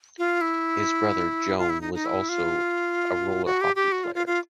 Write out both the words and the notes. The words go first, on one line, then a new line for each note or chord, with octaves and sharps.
His brother Joan was also a roller hockey player.
F4
E4
F4
E4
D#4
D#4
E4
F4
F#4
G4
G4
F#4
F4
F4
F4